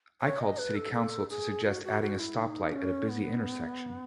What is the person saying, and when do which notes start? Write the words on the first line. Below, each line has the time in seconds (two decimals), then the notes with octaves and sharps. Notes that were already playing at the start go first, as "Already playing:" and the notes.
I called city council to suggest adding a stop light at a busy intersection.
0.22 C#5
0.40 D#5
0.58 B4
0.76 A4
0.94 A4
1.29 G#4
1.65 F#4
1.84 F#4
2.02 F#4
2.19 E4
2.37 D#4
2.73 C#4
3.09 B3